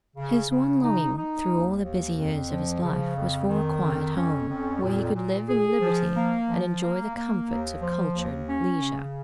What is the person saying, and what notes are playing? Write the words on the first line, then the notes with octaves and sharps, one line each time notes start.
His one longing through all the busy years of his life was for a quiet home, where he could live in liberty and enjoy the comforts of cultured leisure.
C#3
C#3
D#4
D#4
D#2
D#2
F2
F3
C#3
F2
D#3
F2
C#4
F2
A#2
A#2
G#4
F3
A#3
F3
A#3
A#3
D#2
F3
D#2
C#4
C#3